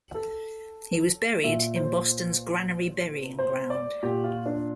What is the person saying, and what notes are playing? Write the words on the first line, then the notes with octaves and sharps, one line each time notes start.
He was buried in Boston's Granary Burying Ground.
A4
A#2 E5
C5
C5
D5
A#2 G4
F4
D4